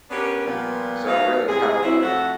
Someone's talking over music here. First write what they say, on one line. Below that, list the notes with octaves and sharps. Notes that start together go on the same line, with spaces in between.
So it really kind of like,
B3 C#4 D4 G4 A#4 B4
A#2 F3 G3 B3
F#3 A3 B3 D#4 F5
A2 C3 G#3 G#4
F#3 C4 E4
F2 A3 F#4 A4 E5 F#5